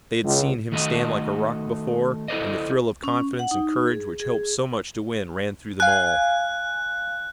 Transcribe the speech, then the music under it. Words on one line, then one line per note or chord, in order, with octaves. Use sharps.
They had seen him stand like a rock before, and the thrill of confidence and courage which help so much to win ran through them all.
C#2
D#3 A3 F#4 A4 D#5
E4 A4 B4 C5 D5 D#5
C#4
F#5
D#4
G#4
G#4
F5 G#5 F#6